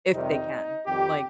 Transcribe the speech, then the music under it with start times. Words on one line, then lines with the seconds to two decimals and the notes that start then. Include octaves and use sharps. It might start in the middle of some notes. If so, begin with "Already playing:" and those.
if they can, like,
0.12 F2 C3 D#3 G3 D#4
0.86 F2 D#3 G3 G4